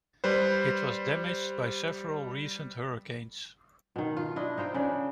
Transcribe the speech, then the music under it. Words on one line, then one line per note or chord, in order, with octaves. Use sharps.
It was damaged by several recent hurricanes.
G3 B4 C5
B2 D#3
F4
D4 E4 D#5
D#4 F4 C5 G5
C#3 D4 D5